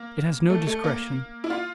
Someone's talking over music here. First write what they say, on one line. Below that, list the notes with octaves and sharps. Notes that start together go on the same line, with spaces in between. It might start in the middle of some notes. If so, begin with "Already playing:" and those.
It has no discretion.
Already playing: A#3
A3
A3
A#3
E4
F4